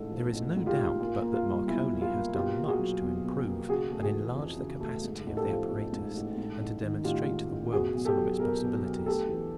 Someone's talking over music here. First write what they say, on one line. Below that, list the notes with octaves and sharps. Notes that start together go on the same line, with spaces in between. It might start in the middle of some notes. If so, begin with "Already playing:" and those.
There is no doubt but that Marconi has done much to improve and enlarge the capacity of the apparatus and to demonstrate to the world some of its possibilities.
Already playing: A1 G#2 A4
F3
A1
G#2
F4 G4
A1
A#2 F4
A#3
F4
G3
B1 E4
A#2
F4
A#3
B2 F4 G4
A#3
F#4 G#4
F#3
B1
B2
A#3
C#3 F#4 G#4
A3
F#4 G#4
E3
F2
C#3
A3
G#2
A1
G4 A4
F3
A1
G#2
A1
G#2
A1
D#3
A1 F4 G4
G#2
A1
B2 F#4 G#4
B1
G4 A4
F#3
B1 G#4 A#4
B2
B1
D2 G4 A4
E3